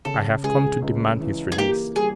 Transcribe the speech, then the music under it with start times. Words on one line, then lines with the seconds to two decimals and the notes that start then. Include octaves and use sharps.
"I have come to demand his release."
0.05 C#3 A4
0.43 C#2 G#4
0.82 C#2
1.20 E3
1.52 G#4
1.58 A#3 G4
1.96 G3 G#4